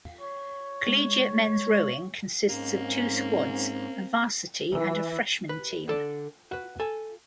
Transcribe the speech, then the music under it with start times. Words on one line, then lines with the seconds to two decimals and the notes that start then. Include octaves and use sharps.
Collegiate men's rowing consists of two squads, a varsity and a freshman team.
0.21 C#5
0.87 G#3
2.49 G#2 A#3 C4 C#4
4.71 E3
5.49 B4
5.88 D3 A4 D5
6.51 F#4 B4
6.80 A4 G#5